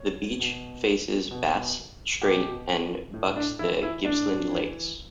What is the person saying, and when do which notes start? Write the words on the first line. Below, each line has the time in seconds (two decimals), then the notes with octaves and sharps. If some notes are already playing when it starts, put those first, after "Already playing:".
The beach faces Bass Strait and backs the Gippsland Lakes.
Already playing: C#5
0.39 B2
1.31 B2
2.22 B2 G4
3.14 A2
3.36 D4
3.59 E3 E4
3.83 E4
4.05 A2 D4
4.51 E3